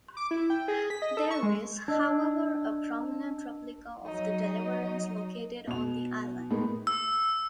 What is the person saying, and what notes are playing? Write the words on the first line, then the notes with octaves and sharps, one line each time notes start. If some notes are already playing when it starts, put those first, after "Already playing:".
There is, however, a prominent replica of the "Deliverance" located on the island.
D6
E4
G5
G#4
B6
D#5
A4
C#6
G#3
D4 D#5 E6 G#6
F#3 D#4 D#5
B2 F7
A2 G#3 A#3 B3 D#4
E6